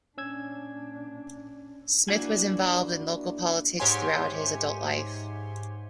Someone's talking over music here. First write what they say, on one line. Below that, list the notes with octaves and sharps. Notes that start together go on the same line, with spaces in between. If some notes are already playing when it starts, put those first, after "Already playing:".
Smith was involved in local politics throughout his adult life.
A#2 C#4 D4 E6 G#6
A#3 D4 E4 F#4 G#5
G#2 G4 C#5 E5 G#5 C6